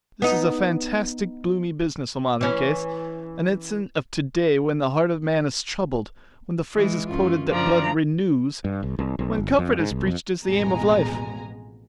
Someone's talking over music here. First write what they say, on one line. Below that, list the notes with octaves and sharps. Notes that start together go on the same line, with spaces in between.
This is a fantastic, gloomy business, a modern case, an incident of to-day when the heart of man is troubled, when the phrase is quoted that blood 'renews,' when comfort is preached as the aim of life.
B3 D#4
E3 C#4
E3 G#3
F#2 C#4 F4
F#2 F3 D4 D5 A#5
G2
C2
C2
B1
G1
F2
G#2
C2
F2
A1 F2 B2 G#3 G#5 A#5